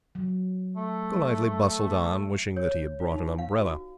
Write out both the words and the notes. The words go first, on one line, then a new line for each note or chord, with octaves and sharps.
Golightly bustled on, wishing that he had brought an umbrella.
F#3
A3
C#5
F4
D#4
F5
F#4